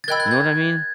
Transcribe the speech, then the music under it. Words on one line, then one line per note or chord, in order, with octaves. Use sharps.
You know what I mean?
A6
A#4 D#5 G5 B5 E6 F#6 G#6
F#6 G#6
G6